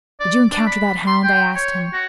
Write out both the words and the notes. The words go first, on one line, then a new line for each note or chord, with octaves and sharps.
'Did you encounter that hound?' I asked him.
D5
D4
B5
C6
G5
C#5
F#4